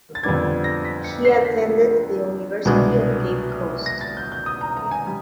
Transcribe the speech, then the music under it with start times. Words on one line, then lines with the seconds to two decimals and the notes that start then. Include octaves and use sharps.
He attended the University of Cape Coast.
0.15 A6
0.23 F2 D3 G3 B3 D4 G#6
0.64 A#6
0.85 B6
1.04 C#7
1.25 C7
1.45 B6
2.65 C2 B2 G#3 B3 D4
3.86 A#6
4.01 A6
4.17 G6
4.32 G6
4.46 D#6
4.61 A#5
4.77 A#5
4.91 G#5
5.07 G3